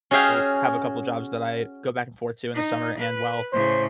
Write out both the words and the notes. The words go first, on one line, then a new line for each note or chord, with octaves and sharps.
do have a couple jobs that I go back and forth to in the summer and while,
C#4 F#4 G#4 E5 F5 G5
D#4
B4
A2 C#3 C5